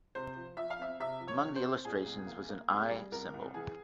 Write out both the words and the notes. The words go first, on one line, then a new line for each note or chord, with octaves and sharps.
Among the illustrations was an eye symbol.
C3 C5
F3
F3 E5
F5
C4 E5
C3 E5
F3
C#5
C3
C5
C4
A#2 G#4
C2
A#3
A#3
C2 G#4
G3
C2 A#4
C2
E3 G#4